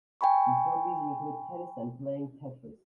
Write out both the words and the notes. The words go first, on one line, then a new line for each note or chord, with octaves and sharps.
His hobbies include tennis and playing Tetris.
G5 G#5 B5 C#6